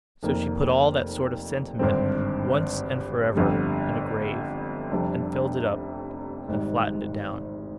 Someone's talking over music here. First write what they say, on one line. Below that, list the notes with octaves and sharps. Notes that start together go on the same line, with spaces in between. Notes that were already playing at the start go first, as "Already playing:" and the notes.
So she put all that sort of sentiment, once and for ever, in a grave, and filled it up, and flattened it down.'
F1 F2 D#3 A#3
G#1 G2 D3 G3 C4
G1 F2 D3 G3
F1 F2 C3 G3 D4
G#1 G#2 G3